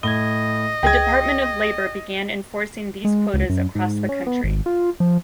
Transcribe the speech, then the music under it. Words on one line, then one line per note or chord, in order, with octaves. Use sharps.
The Department of Labor began enforcing these quotas across the country.
A2 D#5 D#6 G#6 G7
C#2 G#4 G5 G#6
G#3
C#2
F#2
G#2
C#4
B3
G#1
F4
F3